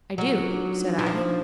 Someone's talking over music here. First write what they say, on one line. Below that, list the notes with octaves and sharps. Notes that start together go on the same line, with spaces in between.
"I do," said I.
F#3 F4
D4
D#4
E3 D#4
F3 D4